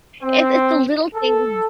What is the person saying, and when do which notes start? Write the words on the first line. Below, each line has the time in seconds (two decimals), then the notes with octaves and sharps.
It's it's the little things
0.23 C4
1.15 A4